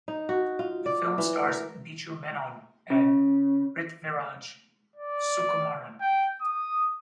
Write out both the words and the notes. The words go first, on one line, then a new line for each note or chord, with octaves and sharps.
The film stars Biju Menon and Prithviraj Sukumaran.
D#4
F#4
F4
D5
E3
A#4
C#3
D5
G5
D#6